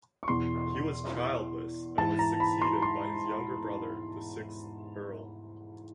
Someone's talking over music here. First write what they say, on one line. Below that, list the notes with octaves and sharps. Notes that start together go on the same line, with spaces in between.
He was childless and was succeeded by his younger brother, the sixth Earl.
C#6
E2 B2 C6
G#2 E3 A5
A#5
B5
C6
C6